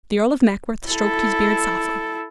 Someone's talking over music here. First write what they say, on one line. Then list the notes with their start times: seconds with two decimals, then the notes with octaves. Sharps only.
The Earl of Mackworth stroked his beard softly.
0.87 E4 A4